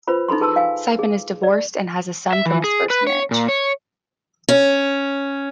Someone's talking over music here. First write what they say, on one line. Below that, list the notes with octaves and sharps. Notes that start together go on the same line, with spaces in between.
Siepen is divorced and has a son from his first marriage.
F4 B4 C5 B5
D#4 E4 A4 B5 C6
G#4 B4 A5 C6 E6
F5 G#5
G#4
D5
E5
E3
G#4
B4
C#5
A#2
C#5
C#4